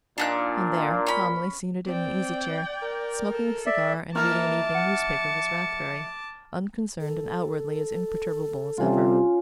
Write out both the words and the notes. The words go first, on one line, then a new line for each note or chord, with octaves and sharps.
And there, calmly seated in an easy-chair, smoking a cigar, and reading an evening newspaper, was Rathbury, unconcerned and outwardly as imperturbable as ever.
A#2 D4 D#4 F#6
C#4 B5
C4 D5 G5
A#4
A4
D5 E5
F2 E3 A#3 E4 A5 A#5 D6 F6
F#5 C#7
A4
C3 G3 C#4 F4